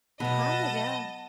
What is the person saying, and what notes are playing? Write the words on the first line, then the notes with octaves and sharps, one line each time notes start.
Kind of, yeah.
B2 F#3 B3 B4 D#5 A5